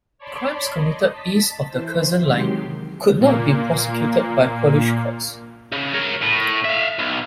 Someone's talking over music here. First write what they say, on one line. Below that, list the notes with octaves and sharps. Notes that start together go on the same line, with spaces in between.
Crimes committed east of the Curzon line could not be prosecuted by Polish courts.
C#5 D5 A5 B5 C6 D6
D#5
A5 B6
E3 C5
C3 D#3 F#3 G#3 G4 C6
A#2 A#3
C#3
A#4 C#5
A2
E5 F5
B1